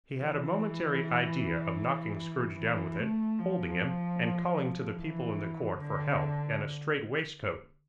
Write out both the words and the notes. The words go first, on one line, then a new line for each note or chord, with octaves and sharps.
He had a momentary idea of knocking Scrooge down with it, holding him, and calling to the people in the court for help and a strait-waistcoat.
E3
E3
A3
F3
E3
D3